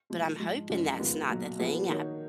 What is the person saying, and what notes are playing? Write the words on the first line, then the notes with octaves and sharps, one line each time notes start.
but I'm hoping that's not the thing, I
A#2 F3 G#3
G#2 F3 G#3
F#1 F2 F3 G#3 C#4
G#2 D#3 G#3 B3 F4
B1 A#2 F#3
A#2 F3 B3 F4 G#4
D#3 A#3 D#4 F#4 C#5